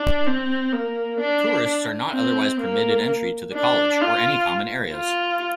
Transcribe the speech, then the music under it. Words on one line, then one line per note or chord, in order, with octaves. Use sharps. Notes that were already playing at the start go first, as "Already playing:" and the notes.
Tourists are not otherwise permitted entry to the college or any common areas.
Already playing: D4
C4
A#3
D4
C4
A#3
D4
F4
F4